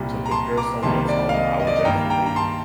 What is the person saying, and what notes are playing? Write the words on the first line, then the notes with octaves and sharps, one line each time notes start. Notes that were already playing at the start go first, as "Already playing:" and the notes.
to prepare someone's home, I would definitely,
Already playing: C2 A#2 G3
A#5
A5 C6
A#5 D6
C2 C3 D#3 G3 A#3 A5 C6
D5
F5
D#5
D#5
D5
D#5
G2 D#3 A#3 G5 A#5
G5 A#5
A#5
A5 C6